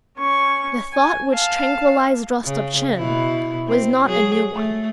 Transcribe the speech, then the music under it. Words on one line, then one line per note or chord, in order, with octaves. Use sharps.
The thought which tranquillized Rostopchin was not a new one.
C#4 C#6
G#5
F5 A5
C#3
B2 E4
C4
F#3 G#4
A3